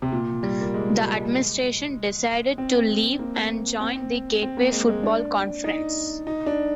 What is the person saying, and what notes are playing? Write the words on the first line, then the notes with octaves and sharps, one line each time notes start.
The administration decided to leave and joined the Gateway Football Conference.
C3
A#2
G3
A#3
G#3
C4
A#3
C4
C4
A#3
G#3
G#3
D4
D#4
D#4
D4